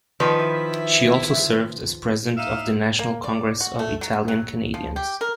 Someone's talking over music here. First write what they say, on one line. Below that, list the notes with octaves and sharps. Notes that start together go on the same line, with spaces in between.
She also served as president of the National Congress of Italian-Canadians.
D#3 F3 B4
E4 E5
D#4 E5 F5
A#3
D5
F#4
A3
F#3
F#3
F3
G4
A#4